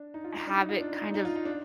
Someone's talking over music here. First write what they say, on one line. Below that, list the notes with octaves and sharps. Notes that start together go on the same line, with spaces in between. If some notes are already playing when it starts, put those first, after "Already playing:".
Have it, kind of
Already playing: D4
D#4
F4
D#4
D4
D#4
F4
D4
D#4
D#4
D#4
F4
D#4
D4